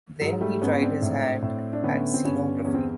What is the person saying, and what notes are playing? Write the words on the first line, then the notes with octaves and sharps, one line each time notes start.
Then he tried his hand at scenography.
G#2 F#3
G3 A3
G#2 B3 C#4
C#4
C4 D4
A2
A2
D4
D3 B3 C#4
C4
G2 B3 C#4
E2 C#4
C4